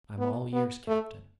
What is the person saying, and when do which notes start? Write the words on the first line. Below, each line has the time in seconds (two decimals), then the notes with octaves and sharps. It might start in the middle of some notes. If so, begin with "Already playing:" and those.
"I'm all ears, captain."
0.19 B3
0.53 B3
0.87 A3